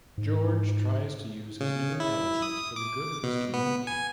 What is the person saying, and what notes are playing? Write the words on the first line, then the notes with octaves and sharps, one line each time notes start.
George tries to use his new intelligence for the good of his community.
G#2
C#3
E4
D#6
D6
B2
B3
G#5